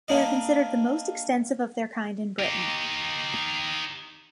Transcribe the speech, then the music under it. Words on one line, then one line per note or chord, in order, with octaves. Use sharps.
They are considered the most extensive of their kind in Britain.
A#3 D4 D#5
D#4 G4